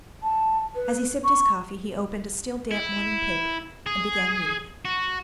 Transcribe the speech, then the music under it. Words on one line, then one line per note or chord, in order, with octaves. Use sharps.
As he sipped his coffee, he opened a still damp morning paper, and began reading it.
A5
B4
C#6
E4
G#4
F#4